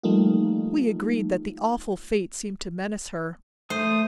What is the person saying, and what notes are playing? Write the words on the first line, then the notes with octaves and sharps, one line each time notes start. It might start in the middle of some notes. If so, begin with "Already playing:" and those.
We agreed that the awful fate seemed to menace her.
F3 G3 A3 A#3 D#4 F4
A3 C5 D#6